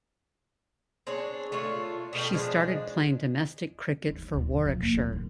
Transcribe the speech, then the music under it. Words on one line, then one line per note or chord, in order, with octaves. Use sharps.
She started playing domestic cricket for Warwickshire.
C4 D4 G#4 C#5
A3 D4 F4 C#5
B2 A3 F4 G5
F3 G#3 D4
D#2
C#3
D#2
B2
F3
A#3
D1
D#3